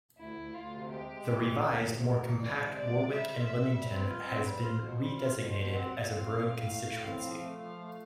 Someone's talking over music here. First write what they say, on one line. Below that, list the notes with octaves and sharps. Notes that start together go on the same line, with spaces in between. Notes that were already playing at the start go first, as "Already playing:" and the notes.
The revised, more compact, Warwick and Leamington has been redesignated as a Borough constituency.
D2 E4
D2
D2 F4
C3
G#3 G4
G#3
E3
D2
D2
C3
D2 A#4
E3
G#3 D5
C3
G#3 D5
C3
G3 E5
F4
C4
G3
C4 B4
F4
C4 B4
G3
F4 C5
B2
G3 C5
F4
B2 C5
B2
C4 F#5
B2
C4 F5
A3
A2
A3
A2
C4
F3
A3
F3 F5
A3